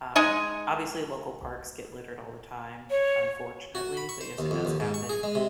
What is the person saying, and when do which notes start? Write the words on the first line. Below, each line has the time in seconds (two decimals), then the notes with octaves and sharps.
um, obviously, local parks get littered all the time, unfortunately, but, yes, it does happen,
0.16 G#3 D#4 D#5 G#5
2.90 C#5
3.75 F#4
3.97 B5
4.09 C#6
4.21 C5
4.38 D#2
4.51 F2
4.65 D#2
4.80 G#2
4.94 C#6
5.09 G#4
5.23 G#3
5.35 C3